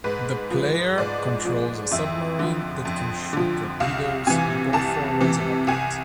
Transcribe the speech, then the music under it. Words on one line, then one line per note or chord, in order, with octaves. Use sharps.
The player controls a submarine that can shoot torpedoes both forwards and upwards.
G#2 B4
F3
G#2 D5
F3
F2 E5
D3 F3
F2
D3 F3
C2 F5
C3 E3 G#5
C2 A5
C3 E3
C2 G#5